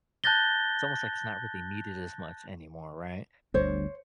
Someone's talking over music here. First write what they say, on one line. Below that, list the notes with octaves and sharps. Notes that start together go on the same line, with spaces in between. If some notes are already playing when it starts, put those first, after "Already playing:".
it's almost like it's not really needed as much anymore, right?
A5 F#6 G6 A6 A#6 G7
G1 D2 G2 C5 C#5